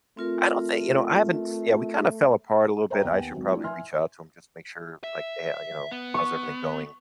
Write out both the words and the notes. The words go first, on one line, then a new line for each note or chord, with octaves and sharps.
I don't thi you know, I haven't Yeah, we kinda fell apart a little bit, I should probably reach out to him just to make sure, like, "Hey, uh, you know, how's everything going?"
A3 C4 F4 A#4
A#4 C5 D5 E5 G5 A#5
D#2 B3 G5 G#5
G#1 F#3
F3 A3 D4 E4
E5 G#5 C6 F6
E5
B3
C#6